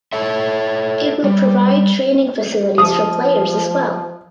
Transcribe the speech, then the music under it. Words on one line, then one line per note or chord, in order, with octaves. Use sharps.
It will provide training facilities for players as well.
A4 C#5 E5
G3
F3 D#6